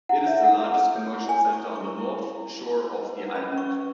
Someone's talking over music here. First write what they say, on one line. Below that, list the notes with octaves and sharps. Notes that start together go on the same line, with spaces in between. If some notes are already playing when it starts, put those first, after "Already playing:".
It is the largest commercial center on the North Shore of the island.
E4 F#5
C#5 E5
A4 F#5
E4
A4
C#5
E4
C#5 G#5
A4
C#6
E4
E4 C#6
E4 C#6
E4
E4
E4
E4
B4
E4
B4
C#4 B5
C#4
C#6
B4